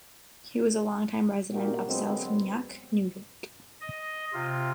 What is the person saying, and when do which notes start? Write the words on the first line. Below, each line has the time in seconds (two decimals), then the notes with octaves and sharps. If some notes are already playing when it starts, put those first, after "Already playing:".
He was a longtime resident of South Nyack, New York.
1.52 A#2 F#4 G4 A#4
1.85 D3 F#3 G#3 B3 C4
3.81 D#5
4.33 C3 F4